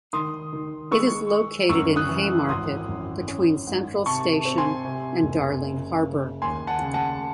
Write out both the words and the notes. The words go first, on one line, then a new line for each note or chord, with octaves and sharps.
It is located in Haymarket, between Central Station and Darling Harbour.
D#3 C6 D#6
D#3
G#3 C#6 E6
G#3
F#2 C#6 E6
D#6 F#6
E3
G#1 C6 D#6
F#2
C#4
G#2
C3 A5 C#6
C4
G#5 C6
C3
F#1
C#3
C#3
D#2 G#5 C6
F#5 A5
C#3
F#5 A5